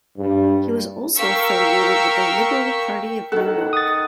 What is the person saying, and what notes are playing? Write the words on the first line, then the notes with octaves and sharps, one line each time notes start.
He was also affiliated with the Liberal Party of New York.
G2
A#4 F5 G5 C#6 E6 B6
D#3 A4 F#5
D#6 A6